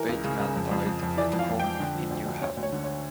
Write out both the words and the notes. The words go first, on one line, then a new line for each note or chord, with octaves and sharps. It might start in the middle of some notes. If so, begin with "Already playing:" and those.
Bateman died at home in New Haven.
Already playing: E3 A#4
C#2
C#3
C#3
F2
F2
F2
F2
E3 D5
F2
F5
F2
F2 G5
D3
F3
D2
D2
D2 C#5
D2
C#5
D3
C#5